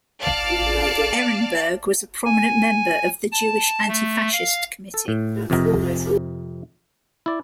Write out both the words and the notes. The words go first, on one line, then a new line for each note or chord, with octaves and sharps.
Ehrenburg was a prominent member of the Jewish Anti-Fascist Committee.
D5 F5 A5
G#5
A5
A3
F5
A4
A2
F2 C3 A#4 D#5
E4 D5